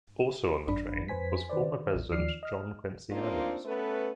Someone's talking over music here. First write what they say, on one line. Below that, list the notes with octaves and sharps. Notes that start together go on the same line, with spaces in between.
Also on the train was former president John Quincy Adams.
G#1 F#2 D4 B5
F2 B4 C5 G#5 B6
D#3 B4 C5 D5
A#1
D#2 D#3 F3 D5 F6 C7
D#5 F6
A#3 C4 D4 D#4 F4
A3 B3 C#4 A4 B4